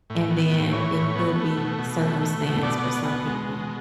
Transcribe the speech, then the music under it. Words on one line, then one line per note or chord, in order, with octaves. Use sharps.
and then it could be circumstance for some people.
A2
B3
A2
E3 C#5
A2
B3
A3
B2
B2
A3
A3
B2
B2 D5
B3
B2
G#3
B2